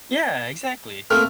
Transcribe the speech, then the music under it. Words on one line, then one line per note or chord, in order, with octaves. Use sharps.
Yeah, exactly.
A3 A#3 C4 F6